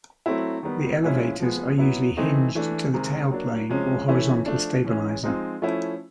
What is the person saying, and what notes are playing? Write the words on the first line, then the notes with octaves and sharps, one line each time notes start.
The elevators are usually hinged to the tailplane or horizontal stabilizer.
F#3 A3 C4 E4
D#3 G3 B3
A#2 F3 G#3 C#4 E4
F3 G#3 B3
F#3 B3 E4
E3 A3 C4 D#4
E3 A3 D4
C3 D#3 G#3
F#3 A#3 D4
C3 F3 G#3 C#4
E3 A3 C#4 E4
F3 A3 D4
E3 G#3 C#4
F3 G#3 C4 D#4
F3 A3 C#4 E4